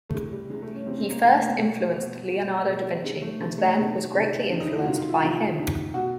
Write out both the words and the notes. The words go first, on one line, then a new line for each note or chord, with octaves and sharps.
He first influenced Leonardo da Vinci and then was greatly influenced by him.
A3
C3 E3 G#3
G3
C3 E3 G#3
A3
C#4
C3 E3 C4
C4
A#3
C3 E3 A3
A#3
B3
B2 A3
B2
B2
B2 G#3
G3
C3 D#3 G#3
A3
C3 D#3 A3
A3
C3 D#3 G#3
C3 G#3
D#3
G#3
C3 D#3
D#4
E4
F#4
C3 D#3 F4
F4
E4
C3 D#3 F4
C3 D#3
B2 F#4